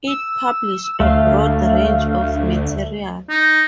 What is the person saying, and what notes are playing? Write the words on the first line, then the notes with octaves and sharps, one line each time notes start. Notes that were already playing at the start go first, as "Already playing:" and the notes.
It published a broad range of material.
E6
D2 A3 F5
D#4